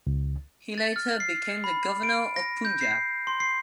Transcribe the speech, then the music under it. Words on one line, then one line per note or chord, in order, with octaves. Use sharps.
He later became the governor of Punjab.
C#2
A6
F6
C7
B5
D7
A#6
G6
C7
C6
C7